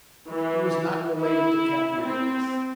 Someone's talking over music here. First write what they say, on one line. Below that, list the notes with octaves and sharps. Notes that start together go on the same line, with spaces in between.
He was not related to Cappy Ricks.
E3
E4
C4